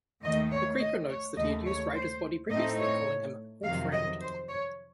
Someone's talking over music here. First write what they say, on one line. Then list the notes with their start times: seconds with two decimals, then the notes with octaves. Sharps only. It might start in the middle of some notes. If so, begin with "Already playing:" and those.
The Creeper notes that he had used Ryder's body previously, calling him "old friend".
0.24 D#2 D#3 A3 D#5
0.52 C#5
0.80 D#5
1.09 C#5
1.37 D#2 C#3 A3 D#5
1.66 C#5
1.94 C5
2.50 A2 A3 C4 D#4 D#5
2.78 C#5
3.64 F2 C3 D#3 F#3 F5
3.93 D#5
4.21 C5
4.50 C#5